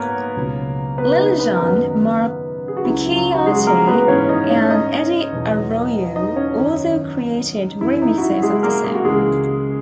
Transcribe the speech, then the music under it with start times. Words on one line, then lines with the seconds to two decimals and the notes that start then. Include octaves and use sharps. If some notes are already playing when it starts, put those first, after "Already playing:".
Lil Jon, Mark Picchiotti, and Eddie Arroyo also created remixes of the song.
Already playing: G#2 F#3 A#3 B3 A#4 B4 C#5
0.36 C#2 B2 F#3
0.98 B3 B4
1.19 D#4 D#5
1.39 B3 B4
1.56 A#4
1.61 F#2 D#3 F#3 B3 B4
2.68 G#4
2.77 F#4
2.84 C#2 C#3 F#3 E4
3.16 F#3 F#4
3.34 F#4
3.46 G#3 G#4
3.67 A#3 A#4
3.87 B3 B4
4.08 G#2 E3 C#4 C#5
4.29 D#4 D#5
4.50 C#4 C#5
4.70 D#4 D#5
5.32 E2 B2 F#3
6.16 D#4 D#5
6.36 C#4 C#5
6.57 F#2 D#3 F#3 D#4
7.80 F#2 E3 E4
8.02 D#4
8.18 F#4
8.21 E4
8.42 G#3 G#4
8.63 A#3 A#4
8.84 G#4
8.94 F#4
9.04 C#2 C#3 E3 G#3 G#4